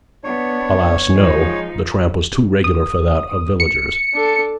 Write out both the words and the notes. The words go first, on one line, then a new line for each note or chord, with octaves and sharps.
Alas! no; the tramp was too regular for that of villagers.
B3 D4 C#5
F3 G#3 D#4
D#6
C#7
D4 A4